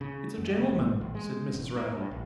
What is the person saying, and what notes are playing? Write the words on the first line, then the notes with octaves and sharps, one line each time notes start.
'It's a gentleman,' said Mrs. Raddle.
C#3
F#2
C#3
G1
A1
G#3
E1
A#3
G2
A#1